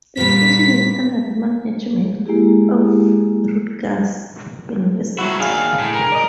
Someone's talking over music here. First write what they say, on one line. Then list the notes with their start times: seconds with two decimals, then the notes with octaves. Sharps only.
The station is under the management of Rutgers University.
0.17 A#2 G3 B6
2.26 G#3 A#3 E4 G4 G#4
5.19 F#3 E4 F#4
5.40 D#2 D4 G#4 F5
5.79 A2
5.94 A#4
6.12 D5 D#5